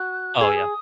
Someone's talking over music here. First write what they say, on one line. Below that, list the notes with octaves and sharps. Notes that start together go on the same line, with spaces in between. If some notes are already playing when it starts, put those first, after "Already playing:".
Oh, yeah.
Already playing: F#4 F#6
D#6
G#4 E6
D#6